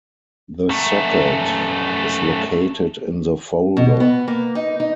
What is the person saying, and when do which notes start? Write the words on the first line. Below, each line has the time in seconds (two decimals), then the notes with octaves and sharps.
The socket is located in the folder.
0.69 F#2 A3
3.77 B2
4.00 B3
4.28 A#3
4.55 D#4
4.80 D#4